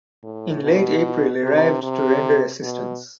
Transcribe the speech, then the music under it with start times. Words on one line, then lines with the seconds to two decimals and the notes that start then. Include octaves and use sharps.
In late April arrived to render assistance.
0.24 A2
0.63 B2
1.43 C3
1.83 C3
2.62 B2